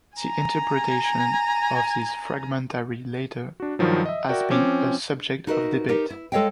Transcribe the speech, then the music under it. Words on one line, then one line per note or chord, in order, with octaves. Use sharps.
The interpretation of this fragmentary letter has been a subject of debate.
G#5 A#5
D4 F#4
G2 D#3 F3 F#3
D#5 E5
F#4 A#4 D5 E5 G5
F3 C4 C#4 D6
D#4 F#4 A#4 B4 D#5 E5
D#4 G4 A#4
E4
G#3 A4 C#5 D#5 F5 G5